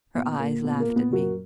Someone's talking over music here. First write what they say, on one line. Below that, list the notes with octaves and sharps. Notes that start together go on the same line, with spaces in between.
Her eyes laughed at me.
A#2 B3
A#2 A#3
A#2 B3
A#3
A#2
B3
F#2 F#4 A#4